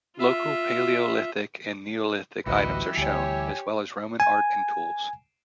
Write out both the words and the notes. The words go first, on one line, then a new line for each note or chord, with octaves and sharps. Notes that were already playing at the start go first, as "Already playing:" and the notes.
Local Paleolithic and Neolithic items are shown, as well as Roman art and tools.
F4 E5
A1 D2 E3 G3 E4 F#4 B4 D#5
D2 G4 C#5 G#5
G#5